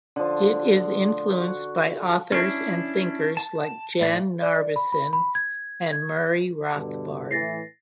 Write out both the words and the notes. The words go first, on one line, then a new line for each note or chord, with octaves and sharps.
It is influenced by authors and thinkers like Jan Narveson and Murray Rothbard.
D3 F3
F#4
C#4 D4 E4
A5
A2 D5
D5
B5
B5
B5
G#6
G#6
G2 B2 D3
A2 E3 A6 A#6 C7